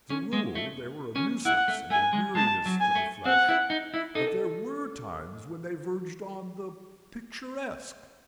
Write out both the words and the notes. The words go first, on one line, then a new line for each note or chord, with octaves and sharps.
As a rule they were a nuisance and a weariness to the flesh, but there were times when they verged on the picturesque.
C#4
G#3
A3
C#4
E4 F#5
A3
A3 G#5
G#3
G#3 A5
F#3
G#5
A3
C4 F#5
E4
D#4
E4
D#4 A4